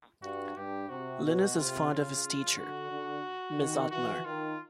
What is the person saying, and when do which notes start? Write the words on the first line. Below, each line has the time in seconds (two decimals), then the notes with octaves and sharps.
Linus is fond of his teacher, Miss Othmar.
0.22 G2 F#4
0.57 G2 G4
0.89 C3 F#4
1.24 B2
1.57 C3 F4
1.90 C#3 F4
2.24 C#3
2.58 D3 F#4
2.91 D3
3.57 D#3
3.91 E3 F#4
4.25 D#3 F4